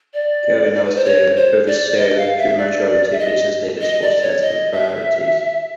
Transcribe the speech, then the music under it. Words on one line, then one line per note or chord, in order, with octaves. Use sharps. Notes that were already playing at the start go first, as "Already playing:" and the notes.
Cohen also oversaw TrueMajority and Business Leaders for Sensible Priorities.
D5
D5
B4
C5
C#5
C5
D5
D#5
F5
E5
D5
E5
D#5
D#5
D5
C#5
D#5
E5